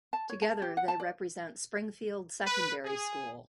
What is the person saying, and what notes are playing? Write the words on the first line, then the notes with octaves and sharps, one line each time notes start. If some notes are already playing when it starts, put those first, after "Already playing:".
Together, they represent Springfield Secondary School.
A5
C#5
A5
G4
F#5
A5
D5
B4
G#4